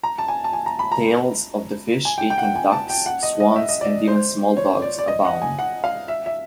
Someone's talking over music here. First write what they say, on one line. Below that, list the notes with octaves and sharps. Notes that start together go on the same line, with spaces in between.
Tales of the fish eating ducks, swans and even small dogs abound.
A#5
A5
G#5
A5
G#5
A#5
B5
A#5
G#5
G5
G5
F#5
G5
G#5
A5
G5
F#5
D#5
D#5
E5
D#5
D5
C5
C#5
D5
D5
D#5
F#5
G#5
F#5
F5
E5
E5